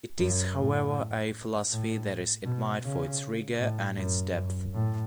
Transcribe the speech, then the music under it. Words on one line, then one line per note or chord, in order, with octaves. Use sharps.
It is however a philosophy that is admired for its "rigor" and its "depth".
F#2
A2
A2
B2
C#3
A2
F#2
F#2
A2